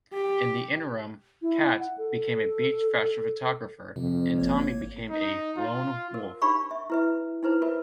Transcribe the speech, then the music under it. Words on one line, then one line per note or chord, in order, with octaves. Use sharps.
In the interim, "Cat" became a beach-fashion photographer, and Tommy became a "lone wolf".
G4
E4
F#5
A4
F2 C3
G#1 A#3 C#5
D#4
F4
A#4
D4 D#4 G4 F5 B5 C#6
E5
E4 B4 E5
D#4 E4 B4 C5
F4 A#4 B4 E5